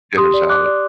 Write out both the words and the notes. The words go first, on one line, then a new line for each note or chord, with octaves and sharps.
dinners out of.
G4 C6 D#6
D5
G4 D6 F#6
D5